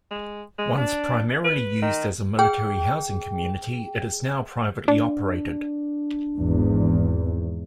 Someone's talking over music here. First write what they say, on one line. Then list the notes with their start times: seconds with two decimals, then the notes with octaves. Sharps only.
Once primarily used as a military housing community, it is now privately operated.
0.11 G#3
0.58 G#3
0.78 D4
1.45 B4
1.82 D#3
2.39 G#4 G5
4.88 D4
6.37 G#1 E2